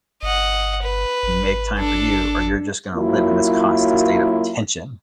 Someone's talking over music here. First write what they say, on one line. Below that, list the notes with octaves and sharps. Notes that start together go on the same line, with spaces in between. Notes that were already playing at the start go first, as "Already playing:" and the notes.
make time for you or you're just gonna live in this constant state of tension,"
G1 D#5 F#5
B4
G#1
D4 A4
F#2 F#3 A#3 E4 F4